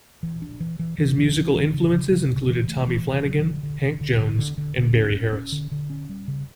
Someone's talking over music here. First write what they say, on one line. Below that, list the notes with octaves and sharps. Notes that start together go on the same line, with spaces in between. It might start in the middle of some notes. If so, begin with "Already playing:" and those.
His musical influences included Tommy Flanagan, Hank Jones, and Barry Harris.
E3
D4
E3
E3
E3
E3
E3
E3
C#3
C#3
C#3
C#3
E3
A3
E3
C#3
F#3
D3
D3
D3
D3
D3
D3
D3
D3
C#4
C#4
C#4
D3
D3
C#4
G3
C#3